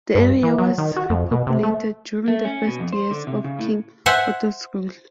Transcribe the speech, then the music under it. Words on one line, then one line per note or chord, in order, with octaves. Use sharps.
The area was repopulated during the first years of King Otto's rule.
G2
E3
F#3
D#3
F#4
F2
B2
C3
A3
A3
C#4
B2
F2
C5
D3
C3
C#3
A2
C5 E5 F#5 G#5